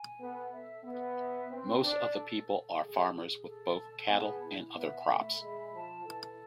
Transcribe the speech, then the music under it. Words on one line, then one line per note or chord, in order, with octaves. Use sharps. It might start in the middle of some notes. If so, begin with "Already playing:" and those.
Most of the people are farmers with both cattle and other crops.
Already playing: G#5
B3 A4
E5
B3 E5
E5
C4 B4
D4 D5
A4
A4
G#4
G#4
A4
A5
B3 G#4
E4
B3 E5
A3 B5
G#3 E5
F3 A5
E3 A4